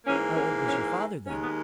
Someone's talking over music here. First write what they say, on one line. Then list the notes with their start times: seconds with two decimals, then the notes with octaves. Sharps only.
"How old was your father then?"
0.06 G#2 E3 A#3 C#4
0.36 C#4
0.67 C#4
1.27 D#2 D#3 G#3 C#4
1.42 B3